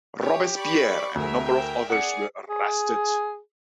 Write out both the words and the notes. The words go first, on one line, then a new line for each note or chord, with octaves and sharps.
Robespierre and a number of others were arrested.
G4 C#5
D5 B5 C#6
D2 G#4 A#4 E5
G5
G#4 D5 F#5 C#7
G#4